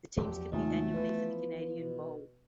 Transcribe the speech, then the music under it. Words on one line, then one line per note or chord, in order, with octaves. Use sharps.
The teams compete annually for the Canadian Bowl.
E2 F3 F#3 G4
D#2 C3 F#3 G#3 A3 D#4 F4
E3 F3 B3 B4
B2